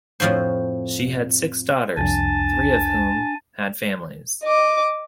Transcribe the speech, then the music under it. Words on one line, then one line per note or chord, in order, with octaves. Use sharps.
She had six daughters, three of whom had families.
F2 A2 F3 F#4 C5
C2 F2 D4 G#5 A5
D#5 D6